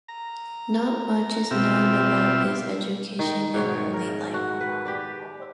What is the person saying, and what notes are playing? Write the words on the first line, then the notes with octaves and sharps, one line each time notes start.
Not much is known about his education and early life.
A#5
B2 C4 F4 G4 E5
D#3
G#2 B2 C#5
A#4
F#4
B4
G4 B4 D5